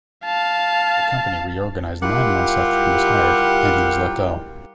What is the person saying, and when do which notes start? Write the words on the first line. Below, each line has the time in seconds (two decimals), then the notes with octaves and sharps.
The company reorganized nine months after he was hired and he was let go.
0.25 F5 A5
2.02 G3 E4 F4 G4 A#4 F#5